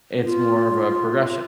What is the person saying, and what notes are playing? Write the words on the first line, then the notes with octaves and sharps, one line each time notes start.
It's more of a progression.
F4